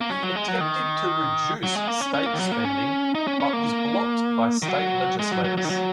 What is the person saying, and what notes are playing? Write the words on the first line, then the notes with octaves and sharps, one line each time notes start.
He attempted to reduce state spending but was blocked by state legislators.
A#3
C#4
F#3
G#3
F#3
D#3
F#3
G#3
A#3
C#4
C#4
A#3
D#3
F#3
A#3
C#4
D#4
C#4
C#4
A#3
D#3
F#3
G#3
F#3
F#3
F#3
D#3
F#3